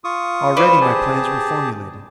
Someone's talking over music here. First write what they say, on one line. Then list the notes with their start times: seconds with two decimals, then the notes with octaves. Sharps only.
Already my plans were formulated.
0.04 F4 C#6 D#6
0.57 B4 C5 D5
0.81 G4 G#4 A5